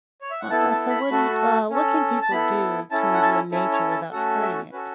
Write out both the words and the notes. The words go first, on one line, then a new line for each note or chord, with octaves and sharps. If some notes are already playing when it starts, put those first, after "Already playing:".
Uh uh, so what do you uh, what can people do to enjoy nature without hurting it?
C#5
E5
F#5
B3 E4 A4 A5
A5
B5
A3 F#4 A4
C#4 A4
A5
B3 E4 A4 B5
C#4 E4 A4 A5
F#5
A5
C#4 E4 A4 E5
C#5
A5
A3 C#4 F#4 A4 F#5
E5
C#4 F#4 A4 B4